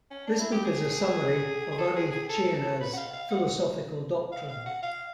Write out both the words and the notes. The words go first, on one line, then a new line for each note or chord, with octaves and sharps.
This book is the summary of Avicenna's philosophical doctrine.
C#4
D4
E4
G4
G#4
G#4
A4
G#4
G#4
A4
A4
B4
F#5
F5
F5
F#5
F5
F5
F#5
F5